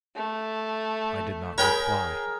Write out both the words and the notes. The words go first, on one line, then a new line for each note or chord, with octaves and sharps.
I did not reply.
A3
G#4 A#4 C#5 G5 B5